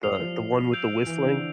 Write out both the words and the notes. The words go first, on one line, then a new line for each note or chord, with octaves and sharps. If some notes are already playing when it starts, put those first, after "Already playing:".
The the one with the whistling?
G3 F6 C7 F7
F3
E6 G6 D7 F7
E3
D3